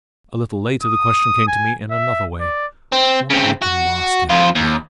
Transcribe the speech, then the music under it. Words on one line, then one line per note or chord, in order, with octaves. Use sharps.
A little later the question came to me in another way: What would the Master do?
D#6
G#5
E5
D5
C4
C#3 C4
F#4
F2 F4
D#2